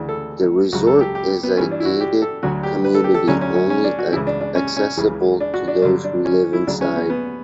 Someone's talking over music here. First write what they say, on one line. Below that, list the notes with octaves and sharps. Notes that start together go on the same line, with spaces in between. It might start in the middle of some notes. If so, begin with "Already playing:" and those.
The resort is a gated community only accessible to those who live inside.
Already playing: D2 C#3 E3
A4
C#2 C#3 F#3 F#4
A4
G4
G4
B3
G2 E3 C#4
D4
E4
F#4
G4
A4
D2 D3 F#3 F#4
G4
B4
A4
G4
A4
D2 D3 F#3 C#4
C#4
C#4
C#4
D4
F#4
C#2 C#3 E3 E4
D4
D4
C#4
C#4
C#2 C#3 E3
D4
F#4
D4
G2 D3 F#3 D4
D4
C#4
E4
D2 C#3 F#3 D4
C#4
B3
B3